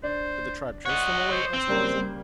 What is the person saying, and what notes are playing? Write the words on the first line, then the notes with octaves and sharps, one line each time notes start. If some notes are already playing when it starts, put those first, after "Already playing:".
"Did the tribe chase them away?" asked Tarzan.
D4 C5
C#5 D#5 F#5
C5
C4
C#3 G3 A#3